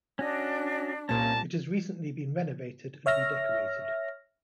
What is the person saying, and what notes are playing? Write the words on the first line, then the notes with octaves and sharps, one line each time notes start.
It has recently been renovated and redecorated.
C#4 D4 F#4 D#5
C2 A#2 A#3 C#4 A5 A#6
C#5 E5 F6 A#6